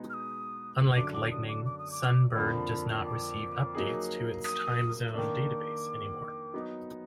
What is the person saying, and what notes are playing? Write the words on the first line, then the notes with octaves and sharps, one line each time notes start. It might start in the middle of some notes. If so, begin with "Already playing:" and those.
Unlike Lightning, Sunbird does not receive updates to its time zones database anymore.
Already playing: B2 G#3 B3 D#4 G#4
F6
D#6
F#2 D3 F#3 D6
D6
D#6
D6
D6
D#6
D6
F2 D3 F3 A#3 B5
D6
F#3 A#3 D#4 G#4
D#6
D#3 A#3 D4 D6
F#3 B3 D#4